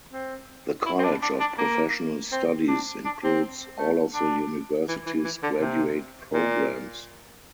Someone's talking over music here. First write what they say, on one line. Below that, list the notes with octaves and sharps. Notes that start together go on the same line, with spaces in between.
The College of Professional Studies includes all of the university's graduate programs.
C4
E4
C4
D4
D4
D4
A#3
C4
D4
D4
C4
A3
D4
E3
E3
E3
D3
C3
A#2